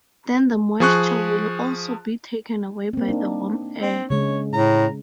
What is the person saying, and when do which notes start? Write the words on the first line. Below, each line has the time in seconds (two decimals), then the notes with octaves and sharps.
Then the moisture will also be taken away by the warm air.
0.80 F3 G#4 C#6 F#6
2.93 A#3 C4
3.09 D4 D#4
3.81 C4
4.10 C#3 G#3 C#5
4.53 A2 A#5